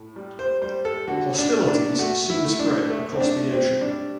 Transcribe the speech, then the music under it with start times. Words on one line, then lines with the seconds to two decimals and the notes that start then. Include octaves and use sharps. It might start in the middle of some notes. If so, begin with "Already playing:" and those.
Hostilities soon spread across the ocean.
Already playing: A2
0.16 G3
0.39 C5
0.61 G3 C5
0.85 A4
1.07 D3 F#4
1.38 D4
1.53 A3
1.68 D4
1.99 A3 F#4
2.30 E4
2.45 A3
2.59 D4
2.90 A3
3.12 C4
3.20 D4
3.36 A3
3.51 C4
3.81 G3 D4